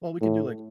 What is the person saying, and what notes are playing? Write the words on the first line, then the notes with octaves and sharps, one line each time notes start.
Well, we can do, like,
A2